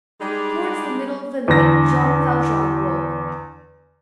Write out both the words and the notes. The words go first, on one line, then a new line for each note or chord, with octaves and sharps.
Towards the middle of the night Jean Valjean woke.
G3 G#3 D4 D#4 G#4
E2 D3 A#6